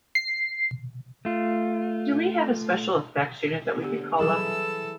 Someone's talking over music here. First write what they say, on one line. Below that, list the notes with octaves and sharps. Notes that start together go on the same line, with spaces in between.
Do we have a special effects unit that we can call up?
C7
A3 F4
D3 B3 G4
E3 F#3 G3 E4 G#4 A4 D6 E6